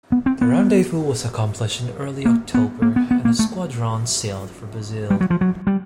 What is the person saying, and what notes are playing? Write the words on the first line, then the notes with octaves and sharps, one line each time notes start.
The rendezvous was accomplished in early October and the squadron sailed for Brazil.
B3
C4
B3
A#3
B3
A#3
B3
B3
A#3
A3
G3
F#3
F3
F#3
G3